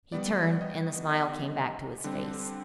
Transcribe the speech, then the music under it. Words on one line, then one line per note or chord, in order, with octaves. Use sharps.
He turned, and the smile came back to his face.
D#3 G3 B3 D5
D#5
D#5
D3 G3 C4